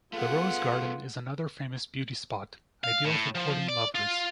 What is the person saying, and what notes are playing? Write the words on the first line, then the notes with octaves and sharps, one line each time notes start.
The rose garden is another famous beauty spot, ideal for courting lovers.
A3 B3 F4 G#4 F#5
F5
A2
F3
D5
F4